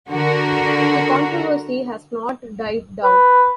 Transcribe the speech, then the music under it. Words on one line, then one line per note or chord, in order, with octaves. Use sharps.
The controversy has not died down.
D3 F#4 A#4
B4